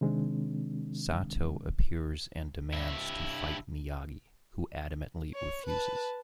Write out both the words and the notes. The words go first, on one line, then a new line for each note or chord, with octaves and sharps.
Sato appears and demands to fight Miyagi, who adamantly refuses.
C3 D#3 G#3 C4 D4
G2 E4
C#5
B4 A5